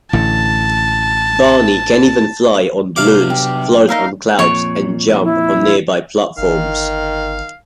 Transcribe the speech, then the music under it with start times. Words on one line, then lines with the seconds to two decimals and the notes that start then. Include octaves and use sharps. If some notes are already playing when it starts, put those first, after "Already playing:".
Barney can even fly on balloons, float on clouds, and jump on nearby platforms.
0.13 A1 A2 D3 A5
2.96 C3 F#3 B3 D4 F5 D6
3.30 G4
3.89 D#4 A#4 E5 F5
4.39 F2 A#2 C#5
5.23 E4
6.38 G1 D#3 F5